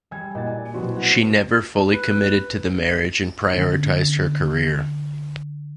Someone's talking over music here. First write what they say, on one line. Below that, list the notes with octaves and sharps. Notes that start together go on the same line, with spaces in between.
She never fully committed to the marriage and prioritized her career.
G3 G#5 G#6
A#2 E4 F#4 D#5 A6
D5 G#5
B2 F#3 C4 E4 F#4 G4
F#5
B4
D3 B3 C#4 D4